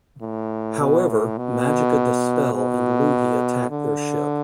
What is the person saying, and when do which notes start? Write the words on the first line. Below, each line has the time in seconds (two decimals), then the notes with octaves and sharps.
However, Magica De Spell and Louhi attack their ship.
0.21 A2
0.79 B2
1.09 A2
1.37 B2
2.54 B2
3.70 D3